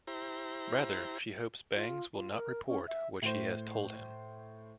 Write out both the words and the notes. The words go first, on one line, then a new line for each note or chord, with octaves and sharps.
Rather, she hopes Bangs will not report what she has told him.
E4 G4 C5 A#5
F4
F4
A#4
C#4
E5
A2 C5